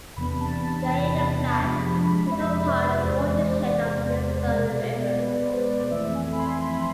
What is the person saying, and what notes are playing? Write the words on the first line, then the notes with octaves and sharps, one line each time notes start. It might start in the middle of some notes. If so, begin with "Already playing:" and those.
Via the Platte, it is part of the watershed of the Missouri River.
E2 C3 E3 B3 D4 B5
A5
A5
B5
F2 C3 F3 G#3 D4
E5
D5
C5
B4
E2 C3 G#3 C5
D5
D5
B2 G#3 B3
B4
B4
C5
D5
F2 E3 A3 C4 E5
G#5
B5
C6
B5